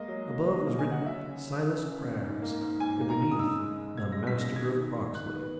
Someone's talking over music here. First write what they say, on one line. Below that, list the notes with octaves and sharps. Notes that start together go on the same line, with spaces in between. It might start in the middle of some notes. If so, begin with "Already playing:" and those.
Above was written "Silas Craggs," and beneath, "The Master of Croxley."
Already playing: G#3 A#3 D#5
F#3
A#3
E4
A#3
G#5
F#3
F#5
F#3 E5
C#3
C#4
C#3
C#3
C#3
G#2
A#3
G#2
G#2 G#5
A#3
A#5
G#2
D#6
C#3 E6
G#3
G#3
C#3 G#6
G#3 A#6
B6
C#3
A#6
D#3 G#6
D#3
D#3
D#3 F#6
B3